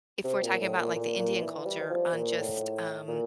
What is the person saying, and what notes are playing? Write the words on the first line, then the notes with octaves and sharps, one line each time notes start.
if we're talking about, like, the Indian culture on just, um,
C3
A#2
A2
A#2
A#2
A#2
E3
G3
E3
F3
A#2
A2
A#2